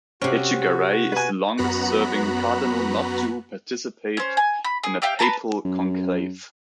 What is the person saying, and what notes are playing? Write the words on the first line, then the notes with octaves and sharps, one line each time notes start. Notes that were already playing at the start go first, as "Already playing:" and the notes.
Etchegaray is the longest-serving cardinal not to participate in a papal conclave.
C3 C4 C#4 F#4
B4 G#5
F#2 B3 F#4 A#5 B5 F#6
C#4 C5
G#5
B5
G#4
G4 E5 F5 G5
B4 D5 A5 A#5
F#2